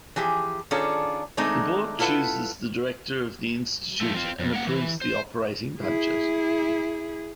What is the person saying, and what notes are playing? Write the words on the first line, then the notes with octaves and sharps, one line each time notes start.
The Board chooses the Director of the Institute and approves the operating budget.
E3 F3 G4 G#4
D#3 C#4 D4 F4 G#4 A4
D#3 G#3 A3 C4 D4 D#4
E4 F4 A4 B4 F#5
F3 A3
C4 F4
F2
A#3 F#5
E3
C5
E4 G#4